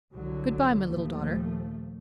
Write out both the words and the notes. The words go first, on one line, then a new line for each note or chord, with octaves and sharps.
Good-bye, my little daughter.
C2 D3 F#3
D#2 A#2 F3 A3